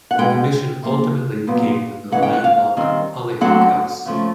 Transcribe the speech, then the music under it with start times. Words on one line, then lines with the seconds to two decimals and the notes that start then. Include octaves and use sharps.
This commission ultimately became the landmark Hollyhock House.
0.11 F#5
0.18 B2 G#3 B3 G5
0.83 C3 F3 A#3
1.47 A#2 F#3 B3
2.12 C#3 E3 G#3 F#5
2.23 G5
2.33 F#5
2.44 F5
2.77 D#3 G3 C4
3.41 D3 F#3 A3 C4 F#5
4.05 C#3 F3 A3